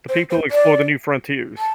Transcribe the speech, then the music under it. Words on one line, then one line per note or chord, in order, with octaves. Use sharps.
The people explore the new frontiers.
C5
C5
D5
A5